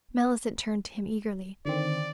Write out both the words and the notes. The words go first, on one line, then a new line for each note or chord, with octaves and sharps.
Mellicent turned to him eagerly.
D3 D#3 C4 D5